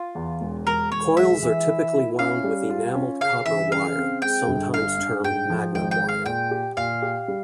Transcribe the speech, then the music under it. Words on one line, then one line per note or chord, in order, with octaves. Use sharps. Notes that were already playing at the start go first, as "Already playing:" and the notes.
Coils are typically wound with enamelled copper wire, sometimes termed magnet wire.
Already playing: F4
E2
E1
E1 A#4
E1 C#5
G#3 E5
E3
E4
E4
C#4 F5
G3
F4
C#4
C#3 F5
E3 E5
C#3 F5
C4
G#3 G5
G1
G2 F5
G2
G#2 G5
F3
G#1 G5
G5
G#3
F5
A#2 G5
G4
A#2 F5
G4
G3